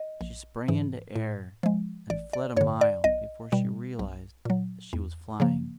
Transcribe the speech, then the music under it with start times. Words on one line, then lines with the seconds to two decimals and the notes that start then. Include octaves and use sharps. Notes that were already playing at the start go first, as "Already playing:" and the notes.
She sprang into air, and fled a mile before she realized that she was flying.
Already playing: D#5
0.21 A#1
0.68 G#2 E3
1.16 A2
1.63 F3 G#3
2.10 A1 D5
2.33 D5
2.57 G2 C#5
2.61 D3
2.81 D5
3.04 B1 D#5
3.52 B2 G3
3.99 B1
4.45 A#2 F#3
4.93 E2
5.40 C#3 F3 A#3